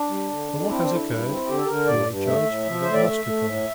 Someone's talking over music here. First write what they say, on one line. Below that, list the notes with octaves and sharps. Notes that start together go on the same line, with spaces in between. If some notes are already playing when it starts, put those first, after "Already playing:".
From what has occurred, you may judge of what must occur.
Already playing: D4
G3
D3
F2
C4 E4
D4
D3
E4
G2
C4
D3 G4
A4
D3 A#4
G2 D5
G2
A3 E5
A2
F3
A2 C5
D5
A3 E5
A3
A2